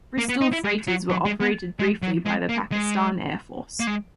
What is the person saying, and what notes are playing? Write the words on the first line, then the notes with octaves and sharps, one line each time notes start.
Bristol Freighters were operated briefly by the Pakistan Air Force.
A#3
B3
D#4
E4
G#3
F#3
F#3
G#3
B3
G#3
F#3
G#3
A#3
G#3
A#3
G#3